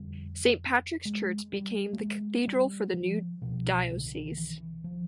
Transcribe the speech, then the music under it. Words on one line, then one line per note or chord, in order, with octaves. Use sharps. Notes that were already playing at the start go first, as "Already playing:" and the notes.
Saint Patrick's Church became the cathedral for the new diocese.
Already playing: F2 D3 G3
G#3
G3
A3
G#3
G3
F3
C2 B2 F3
D#3
D3
D#3
E3
F3